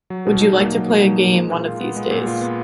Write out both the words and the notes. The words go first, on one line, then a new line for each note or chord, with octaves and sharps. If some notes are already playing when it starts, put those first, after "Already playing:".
Would you like to play a game one of these days?
F#3
B2
D#4
A#3
F#3
B2
D#4
A#3
G#3
A#2
F4
B3
G#3
A#2
F4
B3